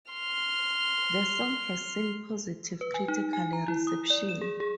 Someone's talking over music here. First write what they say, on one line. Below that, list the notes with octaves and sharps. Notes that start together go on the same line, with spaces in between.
The song has seen positive critical reception.
C6 F6
B4
G#5
D#4
G#5
A#5
E4
D#6
D5
E7
G#4
G#4